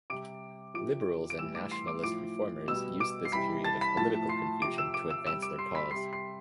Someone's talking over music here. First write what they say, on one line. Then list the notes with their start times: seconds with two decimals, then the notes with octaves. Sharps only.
Liberals and nationalist reformers used this period of political confusion to advance their cause.
0.10 C3 G3 D6 D7
0.74 C3 F3 D6 D7
1.30 D7
1.39 A2 E3 G3 E6 E7
1.55 D6 D7
1.71 C6 C7
1.87 D6 D7
2.03 A2 F3 D6 D7
2.68 B2 G3 E6 E7
3.00 D6 D7
3.25 C7
3.32 C3 E3 G3 B5 B6
3.64 A5 A6
3.81 B5 B6
3.97 A2 F3 A5 A6
4.29 C6 C7
4.62 C3 F3 D6 D7
4.78 E6 E7
4.94 D6 D7
5.10 E6 E7
5.26 C3 G3 E6 E7
5.42 D6 D7
5.59 C6 C7
5.75 B5 B6
5.91 C3 G3 C6 C7
6.13 C6 C7